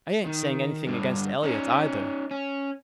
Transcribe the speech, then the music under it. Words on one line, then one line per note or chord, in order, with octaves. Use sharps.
I ain't saying anything against Elliott, either.
D#3
G2 D3
C#4 D#4
C#4